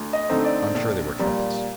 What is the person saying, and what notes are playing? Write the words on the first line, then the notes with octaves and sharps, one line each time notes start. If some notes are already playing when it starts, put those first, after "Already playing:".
I'm sure they were trumpets.
Already playing: D2
D#5
D3 A3 C4 D#4
D5
A#1
A#2 G3 A#3